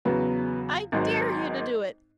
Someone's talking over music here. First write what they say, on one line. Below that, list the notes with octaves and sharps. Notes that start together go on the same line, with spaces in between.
I dare you to do it!
E2 C#3 F#3 B3
G#1 G#2 F#3